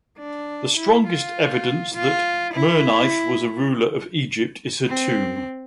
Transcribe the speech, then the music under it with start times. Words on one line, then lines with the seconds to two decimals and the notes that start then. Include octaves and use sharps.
The strongest evidence that Merneith was a ruler of Egypt is her tomb.
0.19 D4
0.77 E4
1.07 F4
1.94 F4
2.53 E4
4.88 C4